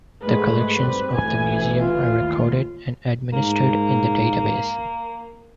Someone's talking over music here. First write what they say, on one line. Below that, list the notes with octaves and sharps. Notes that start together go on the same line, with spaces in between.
The collections of the Museum are recorded and administered in the database.
G#2 G#3 A3 B4
G2 G3 C4
A1 D2 E3 G#5
F4
D#2
G#2 A#3